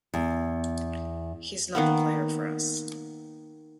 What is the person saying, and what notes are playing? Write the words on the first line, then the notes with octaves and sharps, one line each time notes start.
He's not the player for us.
E2
D#3 A#3 B3